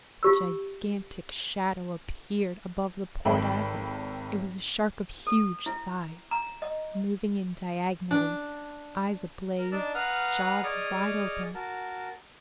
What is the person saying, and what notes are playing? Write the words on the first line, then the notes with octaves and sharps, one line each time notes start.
A gigantic shadow appeared above the poor diver. It was a shark of huge size, moving in diagonally, eyes ablaze, jaws wide open!
F4 G4 E6
G#1 A4 G5 B5
A4
E4
A#5
D#5
D4
A#4
D4 D#4 D5 A5 E6
B4 F5 F#5 A#5 D#6 F6
G#4 D5 D#5 C#6 D#6 F6
F#4 A#4 A5